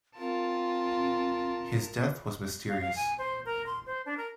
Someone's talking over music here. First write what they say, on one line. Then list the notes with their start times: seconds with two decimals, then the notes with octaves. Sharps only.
His death was mysterious.
0.18 C4 F4 A#4 A5
2.69 F5
2.82 F5
2.96 G#5
3.18 C5
3.45 A#4
3.66 C6
3.86 C5
4.06 D4
4.17 A#4